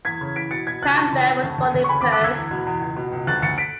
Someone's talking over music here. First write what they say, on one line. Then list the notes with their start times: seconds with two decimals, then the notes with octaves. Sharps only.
Campbell was born in Perth.
0.05 E2 G#6 B6
0.21 C#3
0.36 E3 B6 D7
0.51 B2 A6 C#7
0.67 B2 G#6 B6
0.82 C#2 F#6 A6
0.97 E3 A5 C#6
1.13 C#3
1.28 C#3
1.43 D2
1.58 D2
1.74 D2
1.84 C#6
1.89 C#3 G#5 B5
2.01 B5 D6
2.05 D2
2.12 D6 F#6
2.20 D2 E6 G#6
2.35 E2
2.51 B2
2.66 E2
2.81 C#2
2.96 B2
3.12 C#2
3.27 D2 F#6 A6
3.42 D2 A6 C#7
3.58 B6 D7